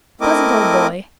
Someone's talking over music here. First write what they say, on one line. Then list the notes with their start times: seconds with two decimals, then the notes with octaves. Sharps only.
Pleasant old boy.
0.21 A3 C4 E4 A#4 D#5 D6